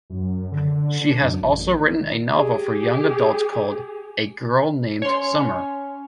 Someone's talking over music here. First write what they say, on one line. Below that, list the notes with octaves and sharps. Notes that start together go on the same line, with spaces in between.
She has also written a novel for young adults called "A Girl Named Summer".
F#2
D3
D4
F#2
A1
D#3
G4 G#4
C#4 C#5 C6